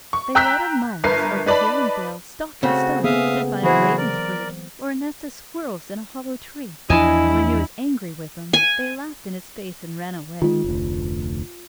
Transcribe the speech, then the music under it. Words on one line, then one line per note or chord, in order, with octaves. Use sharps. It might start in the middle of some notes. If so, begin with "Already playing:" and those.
They led him miles over hill and vale, stock and stone, to find a raven's brood, or a nest of squirrels in a hollow tree, and when he was angry with them they laughed in his face and ran away.
C#6
G5 A#5 E6 F#6 G6 B6
G1 A#4 B4 C7
D#4 B4 D5 A5 B5
C#3 A3 C4 F#4
A#3 B3 G#4 E5 F5 D#6
E3 F#3 E4 F#4 G#4 C5
A#4 D5
E2 F3 D4 E4 D#5 G#5 A5
G#5
D#3 G#3 F4
F1 D2